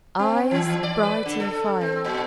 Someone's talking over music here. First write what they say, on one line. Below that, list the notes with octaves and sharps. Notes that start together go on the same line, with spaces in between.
EYES--Bright and fiery.
C4
E3
E3
D5
B4
D3
A4
C4
A#2